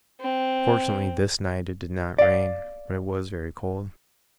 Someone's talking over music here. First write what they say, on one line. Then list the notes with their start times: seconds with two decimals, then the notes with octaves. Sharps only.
Fortunately this night it did not rain, but it was very cold.
0.21 C4
2.18 D5 F5